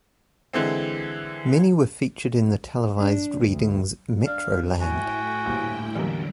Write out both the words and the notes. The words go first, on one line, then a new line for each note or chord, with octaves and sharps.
Many were featured in the televised readings "Metroland".
D3 E3 G#3 C4
D4
D2
D4 F5
A2 E4 F#4 G5 G#5
D2 G2 A#2
A1 E2 D3 F#3 G3 A#3